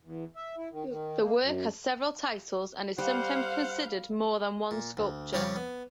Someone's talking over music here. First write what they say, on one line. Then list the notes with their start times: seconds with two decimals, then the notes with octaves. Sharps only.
The work has several titles and is sometimes considered more than one sculpture.
0.03 E2
0.36 E5
0.58 E4
0.71 D#3
0.90 D#3
1.21 A#3
1.41 F#2
2.98 G3 C5 F5 F#5
4.71 A#2
4.97 D2
5.33 F2 C#3 G3 C#5 F5 A#5
5.56 B3